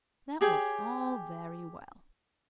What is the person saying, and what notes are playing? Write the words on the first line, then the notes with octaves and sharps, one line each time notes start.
That was all very well.
G4 G#4 C#5 G5